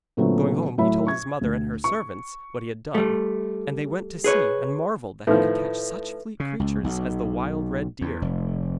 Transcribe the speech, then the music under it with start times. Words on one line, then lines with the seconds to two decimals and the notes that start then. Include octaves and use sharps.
Going home, he told his mother and her servants what he had done, and they went to see, and marvelled that he could catch such fleet creatures as the wild red deer.
0.17 A#2 D3 F#3 A3 B3 C4
0.78 A2 F#3 E5 B5
1.07 C#6 G#6
1.41 D2
1.84 C#6
2.95 G3 A3
4.24 G#4 B4 C#5
5.27 A2 D#3 F3 A4 B4 E5
6.40 C#3
6.60 C#2
6.84 B1
8.01 E2
8.22 F1